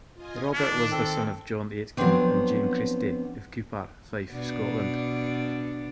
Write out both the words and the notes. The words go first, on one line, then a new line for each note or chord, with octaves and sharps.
Robert was the son of John Aitken and Jane Christie, of Cupar, Fife, Scotland.
F4 D#5 G#5
D#3 D4
C4 A4
F3 F#3 G#3 B3 C4 D4
B2 D4